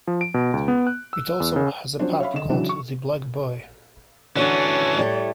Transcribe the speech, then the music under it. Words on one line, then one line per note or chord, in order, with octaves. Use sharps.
It also has a pub called "The Black Boy".
F3
D7
B2
C#2
B3
F#6
E6
E2
C#3
F3 F#3 C#4 D4 C5
C#5 E5 F5 B5
D3 D#5 E7
C#3 E3 F#3 D4
C#6
D3 E3 C#4 F#4 A4 C#5
A2 G3 A3